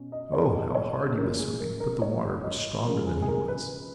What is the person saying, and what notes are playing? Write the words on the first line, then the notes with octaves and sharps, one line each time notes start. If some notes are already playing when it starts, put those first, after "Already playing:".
Oh, how hard he was swimming, but the water was stronger than he was.
Already playing: B2 C#4
D#5
C#5
D#5
C#5
F#2 F3 A#3 C#4 A#4
G#4
A#4
A#4
C#5
D#5
C#3 F3 G#3 A#4
G#4
G#4
A#4
B4